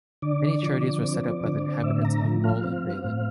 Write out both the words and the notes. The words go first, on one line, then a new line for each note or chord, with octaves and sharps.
Many charities were set up by inhabitants of Mol and Balen.
D3 D5
F3
C4
D3
A2 E5
A#5
F3
F5
C4
A2